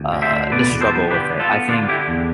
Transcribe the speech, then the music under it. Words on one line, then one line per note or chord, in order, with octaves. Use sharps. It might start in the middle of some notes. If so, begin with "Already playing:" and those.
uh the struggle with it. I think
Already playing: D2
D3
C5 E5
D2
B2 B4 D5
E2
A4 C5
B3
D3 G4 B4
B3
F4 A4
B3
D3 D4 F4
D3 E4 G4
E2